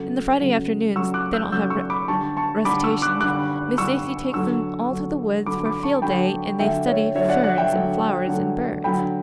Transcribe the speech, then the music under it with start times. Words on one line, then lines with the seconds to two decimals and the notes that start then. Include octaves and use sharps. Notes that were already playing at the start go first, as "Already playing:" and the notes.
And the Friday afternoons they don't have recitations Miss Stacy takes them all to the woods for a 'field' day and they study ferns and flowers and birds.
Already playing: C#3 F#3 A3
0.40 C#3 F#3 A3
0.96 C#3 F#3 A3 C#6 E6
1.14 D6 F#6
1.33 E6 G6
1.52 C#3 F#3 A3 E6 G6
1.70 C#6 E6
1.90 B5 D6
2.08 D3 G3 A5 C#6
2.37 A5 C#6
2.65 D3 G3 B5 D6
2.83 C#6 E6
3.02 D6 F#6
3.20 D3 G3 D6 F#6
3.78 D3 G3 C#6 E6
4.34 D3 F#3 A3 C#6 E6
4.90 D3 F#3 A3
5.46 D3 F#3 A3 B5 D6
5.65 B5 D6
5.83 A5 C#6
6.02 D3 F#3 A3 G5 B5
6.59 D3 F#3 A3 E5 G5
6.87 C#5 E5
7.15 D3 F#3 A3 C#5 E5
7.29 D5 F#5
7.44 D5 F#5
7.57 E5 G5
7.71 D3 F#3 A3
8.27 D3 F#3 A3
8.84 D3 F#3 A3 G5 B5